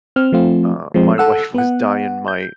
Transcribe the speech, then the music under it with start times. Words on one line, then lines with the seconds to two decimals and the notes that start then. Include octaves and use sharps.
uh, my wife was dyeing my
0.16 C4 F6
0.32 F3 A3 C4 F4
0.94 F3 G#3 C4
1.18 A4 F#5 E6
1.55 B3 F#5
2.28 G6